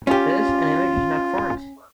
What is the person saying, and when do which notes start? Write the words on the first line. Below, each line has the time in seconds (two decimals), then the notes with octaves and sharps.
Thus, an 'image' is not formed.
0.07 C#4 F4 G4